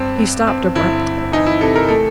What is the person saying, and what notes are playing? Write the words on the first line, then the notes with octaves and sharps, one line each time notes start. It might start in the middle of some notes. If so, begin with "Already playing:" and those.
He stopped abruptly.
Already playing: G2 C4
C4
C4
G1 E4
G1
E3 D#4
E4
C3 A4
A#4
A3 A4